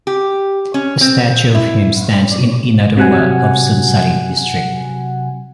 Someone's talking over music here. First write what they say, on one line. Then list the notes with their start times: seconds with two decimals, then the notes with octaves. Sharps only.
A statue of him stands in Inaruwa of Sunsari District.
0.07 G4
0.74 C#4
1.01 C4
1.55 E4
2.97 C3 F#3 F#5 G#5